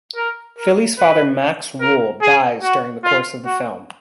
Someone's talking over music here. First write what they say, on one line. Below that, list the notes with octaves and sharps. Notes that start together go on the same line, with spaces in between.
Philly's father, Max Wohl, dies during the course of the film.
A#4
A#4
B4
A#4
G#4
F#4
F4
F#4